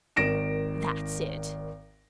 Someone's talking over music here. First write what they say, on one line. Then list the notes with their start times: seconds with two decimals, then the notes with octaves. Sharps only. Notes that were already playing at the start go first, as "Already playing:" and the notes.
"That's it."
0.16 G#1 D#3 A#6 D7 E7